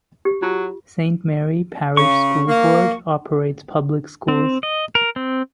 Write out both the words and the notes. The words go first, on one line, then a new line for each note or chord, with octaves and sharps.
Saint Mary Parish School Board operates public schools.
G4
F#3 F4
C#3 C#6
A#3
C4
D#5
A#4
C4